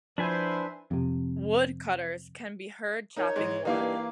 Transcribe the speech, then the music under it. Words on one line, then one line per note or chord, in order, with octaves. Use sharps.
Woodcutters can be heard chopping wood.
F3 D4 E4 B4 C5 G#5
F2 C3
D#4 A#4 C#5
G#2 E3 G#3
G2 E3 A#3 D#4 F5